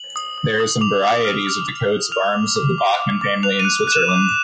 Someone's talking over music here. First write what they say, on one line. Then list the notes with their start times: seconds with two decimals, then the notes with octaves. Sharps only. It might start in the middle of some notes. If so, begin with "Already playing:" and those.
There are some varieties of the coats of arms of the Bachmann family in Switzerland.
Already playing: F#7
0.16 D#6
0.38 D#6
0.60 D#6
0.81 D6 F7
1.03 D6
1.25 F6
1.47 F6
1.69 D6
1.91 F6
2.12 F6 F7
2.34 D6
2.56 D6
2.78 D6
3.00 D6
3.21 D6
3.43 F#6 F7
3.60 D#7
3.65 F#6
3.87 F#6 E7
4.09 D6